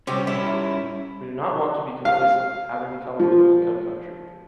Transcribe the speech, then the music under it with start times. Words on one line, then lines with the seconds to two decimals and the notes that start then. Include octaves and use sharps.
We do not want to be complacent, having become a middle-income country.
0.07 C3 G3 C#4 F#4 G4
0.27 G3 C#4 E4
2.05 F5
3.20 F3